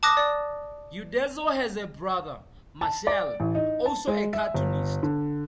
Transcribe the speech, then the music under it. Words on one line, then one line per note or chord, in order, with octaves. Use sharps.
Uderzo has a brother, Marcel, also a cartoonist.
A5 D6 D#6 F#6 A#6
D5
A5
D5
A1
D#4
A5
G#3
E5
G1
D3